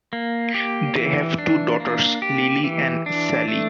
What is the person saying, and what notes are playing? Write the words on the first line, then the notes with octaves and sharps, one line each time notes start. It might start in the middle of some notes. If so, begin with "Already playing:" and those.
They have two daughters Lily and Sally.
A#3
G4
E3
D4
A#3
G4
E3
D4
A3